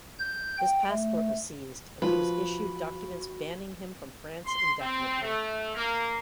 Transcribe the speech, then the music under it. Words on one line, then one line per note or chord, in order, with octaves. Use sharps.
His passport was seized and he was issued documents banning him from France indefinitely.
G6
G5
A3
F3 F#4 B4
C6
C4
A3
A#3